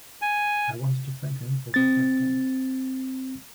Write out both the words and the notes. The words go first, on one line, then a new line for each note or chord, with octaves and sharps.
I wanted to thank him for what he had done.
G#5
C4 A6